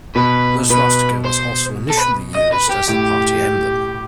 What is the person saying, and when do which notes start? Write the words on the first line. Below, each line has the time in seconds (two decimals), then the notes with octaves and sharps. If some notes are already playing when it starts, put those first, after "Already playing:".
The swastika was also initially used as the party emblem.
0.15 B2 B4
0.70 B2 B4
1.25 C5
1.90 A4
1.97 B4
2.35 D#5
2.53 B4
2.70 G4
2.89 A2 G4